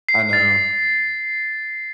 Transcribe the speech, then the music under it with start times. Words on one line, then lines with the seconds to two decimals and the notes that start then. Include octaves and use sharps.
I know.
0.09 C7
0.33 A6